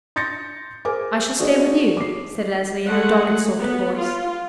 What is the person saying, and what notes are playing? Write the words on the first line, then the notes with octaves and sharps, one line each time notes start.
"I shall stay with you." said Leslie in a dogged sort of voice.
C6 G6 A6 A#6 C#7
G#4 A#4 C5 G#5 D6
D4 F#4 G#4 C5 D5 D#5
D6 C7
G#3 A3 G#4 F#5
B3
F4